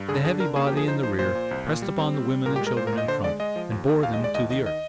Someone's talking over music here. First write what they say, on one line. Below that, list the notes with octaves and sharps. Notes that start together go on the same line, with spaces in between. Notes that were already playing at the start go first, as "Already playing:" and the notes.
The heavy body in the rear pressed upon the women and children in front, and bore them to the earth.
Already playing: G2
D3 G#4
D4 G#4
D3 A#4
A#3 G#4
G4
F3
G#4
D#4 C5
F3 C5
A#2 C5
A#2
C2
A#2
G3
C4
G3
G3
A#2 A#4
G4
G#3
A#4
A#2 C5
A#4
A#2
D#5
D3 C5
G#3 D5
G#3 D#5
F3
D#2
D#2
D#2 F5
D#5
G#3
D5
D#2 D#5
D#3 D#5
D#5